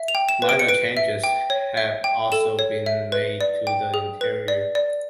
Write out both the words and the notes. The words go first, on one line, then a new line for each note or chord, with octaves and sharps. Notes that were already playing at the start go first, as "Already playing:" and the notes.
Minor changes have also been made to the interior.
Already playing: E5
F7
G5
E7
B4
D7
C#7
B4 D7
E5
G5
C#5
E5
G5
A4 E7
C#5
E5
B4
D5
G5
G#4
B4
D5
D5